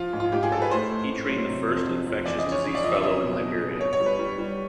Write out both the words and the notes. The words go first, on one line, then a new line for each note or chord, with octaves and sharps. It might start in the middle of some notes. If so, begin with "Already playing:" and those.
He trained the first infectious disease fellow in Liberia.
Already playing: F3 F4
G#2
F4
G#2 G4
G#4
G#2 A4
B4
A2 C5
A2
A2
F#3
C3
F2
F2
F2
E3 D5
D#5
C#3
C#5
C#3 C#5
D5
F2 D#5
E5
F#3 D#5
B2
F#3
B2
B2 C#5
C#5
G3
B4
G3
G3